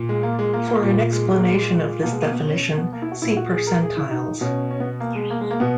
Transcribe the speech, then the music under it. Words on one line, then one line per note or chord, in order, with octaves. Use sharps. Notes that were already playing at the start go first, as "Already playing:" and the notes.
For an explanation of this definition, see percentiles.
Already playing: A#2
G#3
A#3
G#3
A#3
A#3
A#2
G#3
G#3
A#3
G#3
B2 A#3
G#3
A#3
B3
C#4
B3
A#3
E4
F#4
A#2 E4
F#4
G#4
A#4
G#4
E4
D#4
B2 C#4
C#4
B3
A#3
G#3
A#3
G#3
A#3
B2 B3